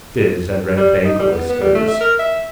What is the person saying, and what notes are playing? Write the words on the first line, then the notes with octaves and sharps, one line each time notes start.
Fizz and Red bank oysters.
G3
D#4
G3
B3
B3
G3
A3
E5
A#4
E5